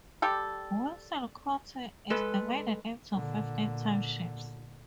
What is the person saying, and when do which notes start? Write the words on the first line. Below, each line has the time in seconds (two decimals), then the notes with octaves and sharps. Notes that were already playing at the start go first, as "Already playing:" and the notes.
Wilson County is divided into fifteen townships.
0.22 G3 G4 A4
2.10 G#3 A4 B4
3.12 A#2 D3